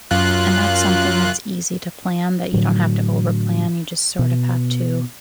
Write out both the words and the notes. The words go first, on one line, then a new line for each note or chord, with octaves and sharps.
And that's something that's easy to plan that you don't have to overplan, you just sort of have to
F#2 F4 F#6
A2 D3 F#3
B2